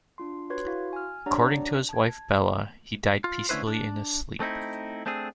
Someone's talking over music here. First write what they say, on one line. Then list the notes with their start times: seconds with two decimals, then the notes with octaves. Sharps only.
According to his wife, Bella, he died peacefully in his sleep.
0.18 D4 F4 C6
0.50 F#4 B4 C#5 C6 G#6
0.66 E4 F#4 F5 C6
0.93 G#5 F6
1.26 D4 G4 C#5 D5 F#5 A#5
1.89 A5 G#6
3.24 F4
3.49 D3 A3 C#4 E4 B4 C5
3.67 D4
4.40 A3 C4 D#4 E4
5.06 A3 C4 D4 G#4